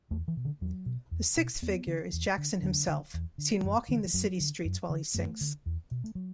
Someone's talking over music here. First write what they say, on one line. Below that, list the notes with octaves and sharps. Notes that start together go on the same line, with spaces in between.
The sixth figure is Jackson himself, seen walking the city streets while he sings.
E2 A3
E3
B2
D3
E2 F#3
B2
E2
B2
E2 B3
D3
E2
D3
E2 D3
D3
E2
D3
F#2 E3
D3 E3
E3
F#2 F#3
D3
F#2
D3
F#2 A3
D3
E2
B2
A3
F#3